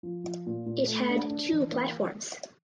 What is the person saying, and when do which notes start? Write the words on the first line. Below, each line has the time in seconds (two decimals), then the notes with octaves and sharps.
It had two platforms.
0.03 F3
0.24 F3
0.46 A#2
0.66 A#2
0.88 A3
1.09 D4
1.30 D4
1.52 E3
1.72 A#3